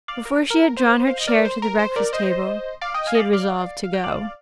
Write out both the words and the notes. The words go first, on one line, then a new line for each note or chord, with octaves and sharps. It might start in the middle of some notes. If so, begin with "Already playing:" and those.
Before she had drawn her chair to the breakfast-table she had resolved to go.
D5 F5
A#4
A#4
C5
F5
D#5
A#4 D5
C5
A#4
C5
A#4 D5
C5 D#5
D5 F5
D#5 G5
F5 G#5
D#5
D5 F5
D5 F5
F5
G5
D5 F5